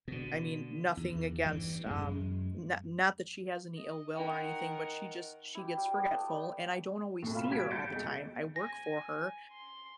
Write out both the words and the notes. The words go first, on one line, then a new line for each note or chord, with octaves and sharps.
I mean, nothing against, um, no not that she has any ill will or anything, but she just she gets forgetful, and I don't always see her all the time, I work for her
B2 D3
E2
G2 E3
F#2 G#3
D#5
D#3 D#4 A#4 F#5 G5
E4 G4
G3
B3 D5
A3
A2 C3
F4 B5 E7
G3 F#4 G#6 B6 D7
G6 A6 C#7 D7
F2 B2 G#3
G#5 A#6
C6